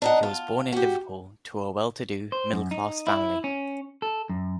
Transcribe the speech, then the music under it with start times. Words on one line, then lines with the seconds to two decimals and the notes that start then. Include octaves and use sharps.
He was born in Liverpool to a well-to-do middle-class family.
0.02 D4 D#4 F#5
0.23 F4
0.72 F#4 G4
2.32 C5
2.53 F#2
2.71 D#4
3.07 E4
3.44 C#4
4.02 A4
4.29 F#2